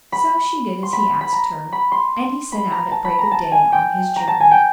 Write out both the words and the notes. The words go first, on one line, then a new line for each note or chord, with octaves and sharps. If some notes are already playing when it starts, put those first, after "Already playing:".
So she did as he asked her, and he set out at break of day on his journey.
B5
C6
B5
B5
A#5
B5
C6
B5
A#5
A5
B5
A#5
A5
G#5
G5
A#5
A5
G#5
G5